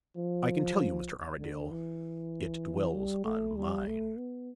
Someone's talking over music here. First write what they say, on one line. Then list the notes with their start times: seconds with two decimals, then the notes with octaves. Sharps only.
I can tell you, Mr. Armadale, it dwells on mine!
0.16 F3
1.39 D3
1.71 E3
2.94 G3
3.24 A3
3.56 G3
3.87 A3
4.18 B3